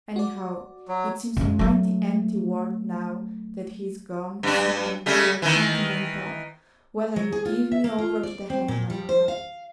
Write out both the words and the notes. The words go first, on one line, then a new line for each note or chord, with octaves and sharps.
Anyhow, it seems a mighty empty world now that he is gone, and I don't care a continental whether you give me over to the hangman or not.'
F#4 D5
F#3
F#2 C#3
F#3 A3
G2 D4
C#3 G3 A3
D#3 E3
F#3
G#4
F4
E5
A#3
F4
D5
C4
A#2
G3
C5
F5